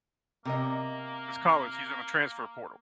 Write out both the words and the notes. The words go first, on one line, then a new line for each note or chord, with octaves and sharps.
“this college; he's in the transfer portal."
C3 A#3 A#4 D#5